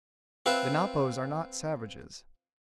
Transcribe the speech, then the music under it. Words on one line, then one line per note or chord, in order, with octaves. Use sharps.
The Napos are not savages.
C4 F4 B4 E5